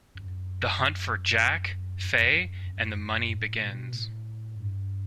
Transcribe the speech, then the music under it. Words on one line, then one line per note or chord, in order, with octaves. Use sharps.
The hunt for Jack, Fay and the money begins.
F#2
F#2
E2
F#2
F#2
F#2
A2
B2
A2
G2